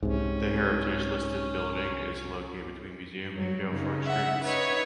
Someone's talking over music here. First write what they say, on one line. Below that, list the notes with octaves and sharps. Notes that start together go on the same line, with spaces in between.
The heritage listed building is located between Museum and Beaufort Streets.
C2 G#2 C3 C#4
F#2 F#3
C#3 C#4 D#4
E5 F#5
D#4 B4 C#5 E5